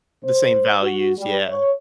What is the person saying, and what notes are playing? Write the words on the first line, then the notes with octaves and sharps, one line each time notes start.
The same values. Yeah.
C5
F#4
G3
C#5